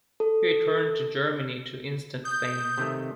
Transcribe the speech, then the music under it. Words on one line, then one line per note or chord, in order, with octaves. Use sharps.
He returned to Germany to instant fame.
A4
D#6 G6
C3 D#3 A3